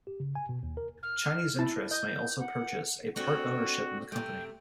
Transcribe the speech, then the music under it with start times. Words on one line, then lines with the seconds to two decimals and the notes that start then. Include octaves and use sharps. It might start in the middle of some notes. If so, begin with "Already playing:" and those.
Chinese interests may also purchase a part-ownership in the company.
0.07 G4
0.20 C#3
0.35 G#5
0.49 B2
0.63 D#2
0.77 A#4
1.03 F6
1.59 E4 A5
1.91 D#5 G6
2.39 F#5
3.16 A3 C4 D4 F#4
4.12 C3 A3 G5